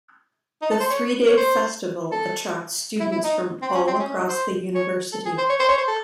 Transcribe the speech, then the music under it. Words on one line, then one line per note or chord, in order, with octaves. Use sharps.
The three-day festival attracts students from all across the university.
D#4
A4
C5
C#5
C#5
C5
A4
E4
E4
D#4
C4
C#4
C4
C#4
C#4
D#4
C5
C#5
A4
G#4
C5
C#5
C5
C#5
C5
A4